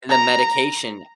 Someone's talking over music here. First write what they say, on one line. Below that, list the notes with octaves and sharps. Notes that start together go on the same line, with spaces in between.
And the medication.
A#5